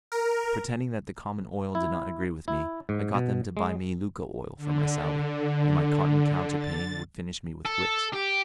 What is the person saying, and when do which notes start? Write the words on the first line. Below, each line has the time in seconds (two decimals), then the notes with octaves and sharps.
Pretending that the common oil did not agree with me, I got them to buy me Lucca oil for my salad, and my cotton counterpane would furnish me with wicks.
0.12 A#4
1.75 E4
2.48 E4
2.89 G#2
3.14 B2
3.57 G#3
4.57 D3
6.58 A6
7.65 A4
8.13 G4